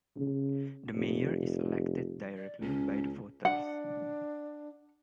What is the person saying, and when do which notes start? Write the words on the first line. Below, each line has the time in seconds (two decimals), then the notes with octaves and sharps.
The mayor is elected directly by the voters.
0.17 C#3
0.96 F1
2.37 D5
2.61 C#2 C#4
3.45 D4 F#5